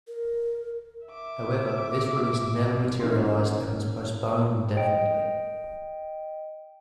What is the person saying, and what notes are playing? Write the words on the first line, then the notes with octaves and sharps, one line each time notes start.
However, this release never materialized and was postponed indefinitely.
A#4
E5 D6
D#3 A#3 C#4 D#4 E4 C6
D#5 G5 D7